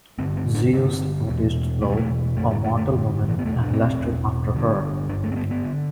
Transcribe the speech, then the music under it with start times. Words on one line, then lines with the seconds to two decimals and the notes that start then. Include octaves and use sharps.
Zeus noticed Io, a mortal woman, and lusted after her.
0.19 G2 D3 C4
0.37 C4
0.55 D4
0.73 G2 D3 C4
1.27 E2 B2
1.82 E2 B2 A3
1.90 G3
1.97 A3
2.36 F#2 A3
2.40 D3
2.51 G3
2.64 A3
2.77 A3
2.91 F#2 D3
3.28 E3
3.39 B3
3.45 E2 B2 A3
3.62 D4
3.74 C4
4.00 E2 B2
4.55 G2 D3
5.09 G2 D4
5.13 D3
5.23 A3
5.32 C4
5.36 B3
5.51 B3
5.64 D3